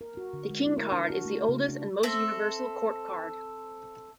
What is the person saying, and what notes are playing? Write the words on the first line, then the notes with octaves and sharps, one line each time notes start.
The king card is the oldest and most universal court card.
A#4
F#4
D3
G#3
E4
A#4
D4
F#4
A3
C#3
D4
C4 A4 E5 E6